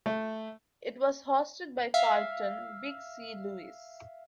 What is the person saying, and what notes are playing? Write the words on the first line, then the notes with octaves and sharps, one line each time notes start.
It was hosted by Carlton "Big C" Lewis.
A3
E5 F5